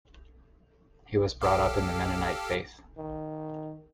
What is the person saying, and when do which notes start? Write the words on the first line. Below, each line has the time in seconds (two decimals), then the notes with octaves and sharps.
He was brought up in the Mennonite faith.
1.42 G4 A4 F5
2.97 D#3